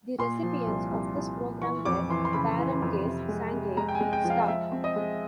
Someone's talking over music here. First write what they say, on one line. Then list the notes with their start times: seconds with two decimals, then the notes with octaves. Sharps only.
The recipients of this program were Barangays Sangay, Sta.
0.19 A#2 C6
0.43 F3
0.67 C2
0.91 C2
1.14 C2
1.38 A#2
1.62 E3 C#6
1.85 F2 D6
2.09 E3 C6
2.25 C6
2.33 C#3 B5
2.58 E3
2.82 F2
3.05 C3
3.29 G#3
3.53 C3
3.77 G#3 A#5
3.89 G5
3.95 G#5
4.01 G#3
4.13 G5
4.24 F3
4.30 F5
4.48 G#3 E5
4.72 C4
4.84 D#5
4.96 G#3